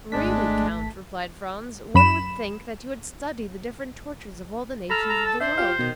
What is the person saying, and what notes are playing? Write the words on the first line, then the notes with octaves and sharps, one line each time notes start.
"Really, count," replied Franz, "one would think that you had studied the different tortures of all the nations of the world."
G#1 G#3 A3 D4 A5 B6
F#2 B5 E7
A4 A#5 B5 F6
A#5
A5
D4 C5 E5
F4 G4 F5
B2 D#3